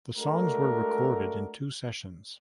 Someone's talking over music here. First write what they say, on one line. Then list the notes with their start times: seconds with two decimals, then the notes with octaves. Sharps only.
The songs were recorded in two sessions.
0.17 G#3 A3 D4 F#4 A4 A#4